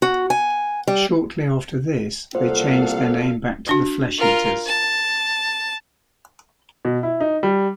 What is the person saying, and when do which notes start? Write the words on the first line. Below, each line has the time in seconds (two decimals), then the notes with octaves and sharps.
Shortly after this they changed their name back to The Flesh Eaters.
0.02 F#4
0.30 G#5
0.87 G3
2.35 C2 A#2 A#3 A4 C5 F5 F#5
3.69 D4 F#4
4.18 F4 A#4
4.66 A5
6.85 B2
7.03 E4
7.20 D#4
7.43 G3